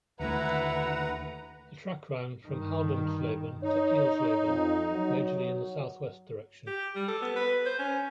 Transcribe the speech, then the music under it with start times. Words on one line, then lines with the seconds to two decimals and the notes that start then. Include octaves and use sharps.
The track ran from Haldensleben to Eilsleben, majorly in the south-western direction.
0.20 D#2 D3 A3 E4 B4 F#5 A#5
2.44 G2 D#3
3.63 D#4 C#5
4.45 F2
4.93 F#3
6.67 G4
6.96 G3
7.08 A4
7.22 B3
7.36 B4
7.66 C5
7.79 C#4